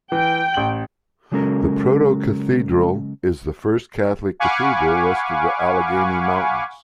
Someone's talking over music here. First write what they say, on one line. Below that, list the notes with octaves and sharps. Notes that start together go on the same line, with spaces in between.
The proto-cathedral is the first Catholic Cathedral west of the Allegheny Mountains.
E3 G5
A1 F#7
C#3 F#3 G#3 C#4 A4 A#4
F5 F#5 G#5 B5 C#6 D6